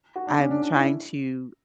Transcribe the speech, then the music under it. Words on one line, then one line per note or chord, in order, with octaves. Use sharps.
I'm trying to
F#4
D4
C#4
D4
D4
E4